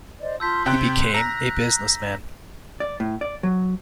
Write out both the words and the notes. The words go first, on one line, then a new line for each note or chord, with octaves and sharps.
He became a businessman.
C5 D5 D#5
F4 A5 C6 E6 G6 B6
C3 G5 C6 F#6
A#5 E6 F#6 A#6 B6
D5
A2
D5
F#3